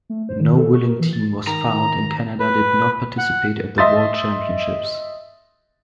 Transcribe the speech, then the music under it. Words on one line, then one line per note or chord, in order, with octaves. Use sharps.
No willing team was found and Canada did not participate at the World Championships.
A3
C5
D#3
A4
C#6
A#4
E3
A6
D#3 A#5 A#6
B4
F#5
D#5 E5 C6 D#6 A6